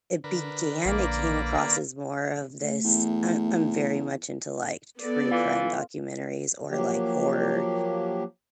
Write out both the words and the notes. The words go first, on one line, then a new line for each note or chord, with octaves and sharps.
it began, it came across as more of this I I'm very much into, like, true crime documentaries or, like, horror
D3 A#4 B4
A#1 A#3 D5
A3
E2
B3 A4 D5
E3 F4
F3 F#3 A#3 G4